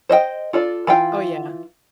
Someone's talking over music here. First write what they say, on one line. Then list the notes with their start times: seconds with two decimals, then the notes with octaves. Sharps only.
Oh, yeah.
0.09 C5 D#5 E5 G5
0.53 F4 A4 D5
0.87 E3 F4 F5 G5